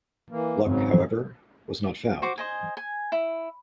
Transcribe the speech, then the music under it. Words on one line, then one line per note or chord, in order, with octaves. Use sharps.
Luck, however, was not found.
E3 A#3
G#1 G#2 C#3 F#3
F#4 C5 D6
C5 D#5 G#5
G#5
E4